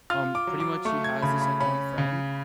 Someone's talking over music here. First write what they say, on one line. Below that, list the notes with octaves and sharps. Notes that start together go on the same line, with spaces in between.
um, pretty much he has this like one friend.
F4 F6
D6
F#3
D6
A3 C#6
G#6
C#3 B5
B5
C#4 B5
C#3